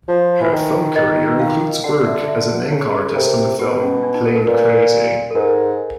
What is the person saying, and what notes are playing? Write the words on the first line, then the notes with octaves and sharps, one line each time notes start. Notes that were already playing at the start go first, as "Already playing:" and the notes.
Her film career includes work as an ink artist on the film "Plane Crazy".
F3
E3
D#3
D#3 D#5
F5
D3 F#5
E5
E5
C#3
A4
C3 A#4
B2 G4
C#4
D4
D#4
A4
A#4
A#2 B4
A#4
A4
G#2 A#4